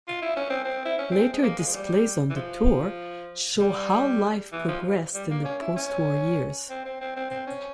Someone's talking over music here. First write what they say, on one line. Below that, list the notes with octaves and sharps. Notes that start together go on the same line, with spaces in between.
Later displays on the tour show how life progressed in the postwar years.
F4
E4
C#4
C4
C4
E4
C#4
C4
G#3
A#3
G#3
F3
G3
E3
F3
G3
E3
F3
G3
A#3
C#4
E4
C#4
C4
C4
C4
C4
C4
C#4